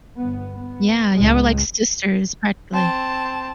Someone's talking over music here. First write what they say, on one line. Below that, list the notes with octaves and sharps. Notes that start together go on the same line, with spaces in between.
Yeah, yeah, we're like sisters, practically.
G1 B3
B3
C#2 A2 G#3
C4 A5